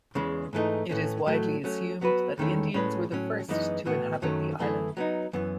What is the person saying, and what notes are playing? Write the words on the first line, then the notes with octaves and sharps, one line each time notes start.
It is widely assumed that Indians were the first to inhabit the island.
E2 C#3 G#3
G#2 E3 A3 D#4
A2 E3 A3 C#4
A2 F#3 A3
F#3 A3 C#4
F#3 B3 F#4 B4
E2 D#3 A3 C#4 E4
A2 G#3 C#4 G#4 B4
A2 F#3 C#4
F#2 E3 G#3 B3 D#4
A2 E3 B3 F#4
F#2 D#3 F#3 A3 C#4
F#2 E3 A3 E4 G#4
F#3 B3 D#4
F#2 E3 B3